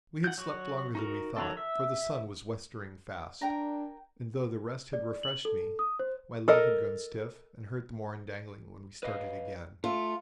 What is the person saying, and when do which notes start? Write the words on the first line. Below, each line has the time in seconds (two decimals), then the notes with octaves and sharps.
We had slept longer than we thought, for the sun was westering fast, and though the rest had refreshed me, my leg had grown stiff, and hurt the more in dangling when we started again.
0.24 F#5 G6
0.38 F#3 F#4 C#6
0.95 D#4 F#4 A#4
1.36 D#3 F#3 C4 A4
1.57 E5
3.41 D4 A#4 G5 A#5
4.93 D5
5.23 F#7
5.45 A4
5.79 D#6
5.99 C5
6.48 A4 A#4 D#5
9.03 B4 D#5 F5
9.84 A3 F4